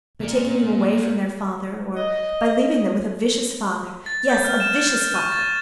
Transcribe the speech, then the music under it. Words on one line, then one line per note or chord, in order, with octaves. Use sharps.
By taking them away from their father, or by leaving them with a vicious father--yes, a vicious father....
A#3 D5
D#5
A6
G6
F6
E7
A6
F6
C#6
A6